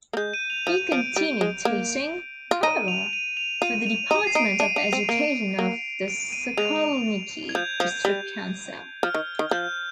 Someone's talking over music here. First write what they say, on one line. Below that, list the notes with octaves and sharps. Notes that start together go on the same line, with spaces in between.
He continued teaching, however, for the Department of Education of the Sokolniki District Council.
A#3
G#3 G6
D#7
F7
F3 D#7
F3 D7
G3 D7
G#3
A#3
F4
D#4 D#7
F7
D#7
F7
F4 D#7
F7
D#4 D#7
C7
D#4 D7
D4 D#7
D4 F7
C4 D#7
A#3 D7
A#3
D7
D#7
G#3 F7
F7
G#6
F3 G6
F3 G6
G3
F3 F6
D#3
D#3
F3 G6